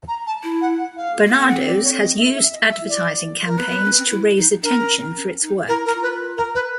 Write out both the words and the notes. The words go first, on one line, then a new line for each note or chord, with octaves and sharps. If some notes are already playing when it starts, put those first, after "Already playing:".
Barnardo's has used advertising campaigns to raise attention for its work.
A#5
A5
E4
F#5
F#5
F5
A#3
B3 G5
C4 F#5
D5
C#5
D#5
E5
E5
D#5
E5
D5
A#4
B3 B4
B3
C#4
C4
E4
D#4
D4 A#4
C#4
C4
C#4
D#4
E4 A#4
A#4
F4
B4
A#4
B4